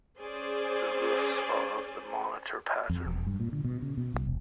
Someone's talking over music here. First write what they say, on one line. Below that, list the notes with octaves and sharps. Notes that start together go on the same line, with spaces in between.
The roofs are of the monitor pattern.
C#4 G#4 C5 D5 G#5
F2
E1
G2
A#2
D3
B2
C#3
B2
C2
E1